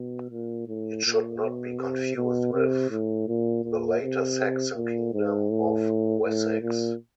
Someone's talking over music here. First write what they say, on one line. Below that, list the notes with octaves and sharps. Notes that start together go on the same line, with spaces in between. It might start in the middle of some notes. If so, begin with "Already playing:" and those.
It should not be confused with the later Saxon kingdom of Wessex.
Already playing: B2
A#2
A2
A#2
B2
C3
B2
C3
A2
A#2
A#2
C3
A#2
G#2
A2
A2
A#2